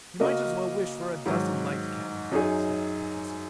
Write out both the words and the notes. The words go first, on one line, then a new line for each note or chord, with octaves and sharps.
"You might as well wish for a dozen light cannon!" snapped the Professor.
C#3 A#3 F#4 A#4 D#5
G#2 D#3 F#3
F#2 F#3 D#4 G#4